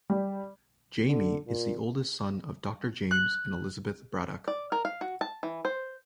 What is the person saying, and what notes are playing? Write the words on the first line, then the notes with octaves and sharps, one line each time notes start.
Jamie is the oldest son of Doctor James and Elizabeth Braddock.
G3
D3
A#2
F#6
D5
A#4
F5
F#4
A5
E3
C5